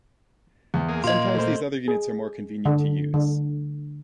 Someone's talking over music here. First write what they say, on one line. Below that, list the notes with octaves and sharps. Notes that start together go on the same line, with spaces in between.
Sometimes these other units are more convenient to use.
E2
A#3 G#4
A#2 A#3 F4 D#5 C6
A3 C5
G#4
D3
D3